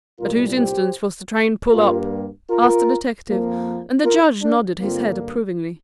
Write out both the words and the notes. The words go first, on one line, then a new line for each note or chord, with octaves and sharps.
"At whose instance was the train pulled up?" asked the detective, and the Judge nodded his head approvingly.
C2 A#2 G3 F4 A#4
G4 C5
G2 G3 A#3 F4 A#4
F4 A#4
F2 F3 A#3
F4 A#4
D4
G2 D3 A#3 C4 F4